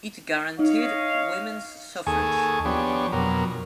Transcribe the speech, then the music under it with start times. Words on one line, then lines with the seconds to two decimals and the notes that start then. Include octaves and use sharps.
It guaranteed women’s suffrage.
0.59 D#4 C#5 D#5 F5
2.07 D#2 G#4 A4 G#5 C#6
2.65 F3 B3 D4 G4 C#5
3.12 F2 B2 F#3 A#4